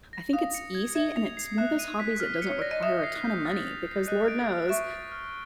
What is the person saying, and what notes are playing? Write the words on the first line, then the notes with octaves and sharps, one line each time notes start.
I think it's easy and it's one of those hobbies that doesn't require a ton of money because lord knows
A#6
F5 D#6
C#7
G#6
E5 G#6
F7
C7
E5 F#6
D#7
B6
F6
C#7
C#5
D5 A#6
D#5
E5 D#6
C7
G6
A6
F7
C7
D#5 F#6
D7
A6
E5 C#6
A6
F6